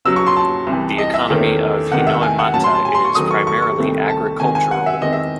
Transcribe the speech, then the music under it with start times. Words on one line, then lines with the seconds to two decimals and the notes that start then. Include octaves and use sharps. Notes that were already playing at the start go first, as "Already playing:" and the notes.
The economy of Hinoemata is primarily agricultural.
0.05 E2 C#3 F#3 C#4 E6
0.16 C#6
0.27 C6
0.36 A5
0.67 C2 C3 E3
0.98 D#5
1.14 E5
1.30 E2 D#3 A3 C#4
1.91 E2 C3 D#3 G#3 F#5
2.07 E5
2.23 G#5
2.39 F#5
2.54 A2 F#3 C#4 A5
2.64 C6
2.75 A5
2.85 G#5
2.94 C6
3.05 C#6
3.15 E2 D#3 F#3 A3 D#6
3.31 C#6
3.47 C#6
3.62 C#6
3.77 C2 C3 D#3 A3 C4
4.09 A5
4.39 C3 D#3 G#3 C4 G#5
4.55 G#5
4.71 F#5
4.86 E5
5.01 E2 D#3 G#3 C4 D#5
5.13 E5